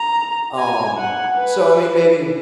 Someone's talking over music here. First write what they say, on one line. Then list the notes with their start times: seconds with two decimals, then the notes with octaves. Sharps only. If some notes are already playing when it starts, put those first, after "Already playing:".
Um, so I mean, maybe
Already playing: A#5
0.59 G#5
0.98 F#5
1.38 B4